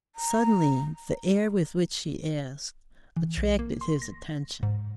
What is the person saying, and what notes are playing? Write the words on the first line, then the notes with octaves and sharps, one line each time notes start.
Suddenly the air with which she asked attracted his attention.
A#5
E3
B1
A#3
C6
A#6
G#2